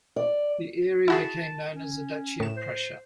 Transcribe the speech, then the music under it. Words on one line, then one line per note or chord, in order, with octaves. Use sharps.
The area became known as the Duchy of Prussia.
D5
E4 F#4 G#4 A5
C#4
A2 E7
C5